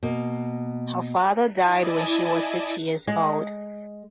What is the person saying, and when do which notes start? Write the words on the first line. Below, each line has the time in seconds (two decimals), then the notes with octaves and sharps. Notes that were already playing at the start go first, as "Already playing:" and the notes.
Her father died when she was six years old.
0.03 B2 A#3
1.61 E4 D5 D#5 G#5 A5
3.07 G#3